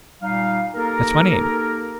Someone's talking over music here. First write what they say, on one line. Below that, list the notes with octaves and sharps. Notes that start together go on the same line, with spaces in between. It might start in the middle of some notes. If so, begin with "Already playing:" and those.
That's my name.
A#2 G3 D#4 F5
A#3 D#4 G4 A4 A#4